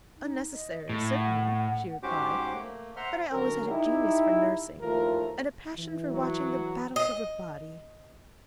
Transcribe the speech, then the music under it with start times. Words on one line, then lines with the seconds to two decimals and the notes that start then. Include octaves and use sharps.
'Unnecessary certainly,' she replied: 'but I always had a genius for nursing, and a passion for watching the battles of the body.
0.17 D#4
0.52 D#5
0.89 A2
1.12 F#5
2.03 G#2 C#4 F#4 G4 C5 D6
2.54 A3 A#3
2.96 C5 E5 F#5 A#5 C6 F6
3.33 D3 F#3 C#4 F#4 A#4
3.68 D#4 E4 G4
4.81 D#2 E3 F3 A3 F4 A#4
5.77 E3
6.11 F#3
6.96 D#5